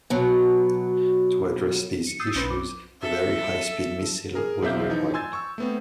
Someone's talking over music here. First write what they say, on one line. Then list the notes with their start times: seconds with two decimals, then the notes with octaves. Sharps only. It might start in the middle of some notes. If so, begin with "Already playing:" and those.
To address these issues, a very high speed missile was required.
0.10 B2 F#3
2.07 C#7
2.19 D#6 E6 G6 A6 C7 D#7
2.35 B1 C#4 B4 C5
2.50 D6
3.02 A4 E5
4.35 G#4 A#4
4.62 B1 F#2 C5 E5 D6 G6
4.88 E3 F3 D#4
5.14 G#5 C6 E6 G#6 A6
5.33 C#6 E6
5.58 A3 B3 C4